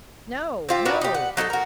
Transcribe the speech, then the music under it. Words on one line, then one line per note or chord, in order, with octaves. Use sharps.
"No, no!"
C4 F4 G4
D4 F#4 A#4 B4
D#4 G4
F#5
F#3 D#4 G#4 A4
F#4 A#4